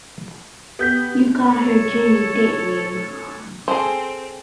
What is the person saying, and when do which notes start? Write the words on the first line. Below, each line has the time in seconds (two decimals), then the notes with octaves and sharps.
You called her Jenny, didn't you?
0.79 B3 G4 G6 B6
1.44 A4 C#5
3.68 C4 G#4 A4 C5